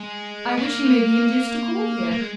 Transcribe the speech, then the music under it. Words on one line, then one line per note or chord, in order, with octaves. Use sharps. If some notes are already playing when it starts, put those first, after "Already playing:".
I wish he may be induced to call here.
Already playing: G#3
B3
A#3
A#3
G#3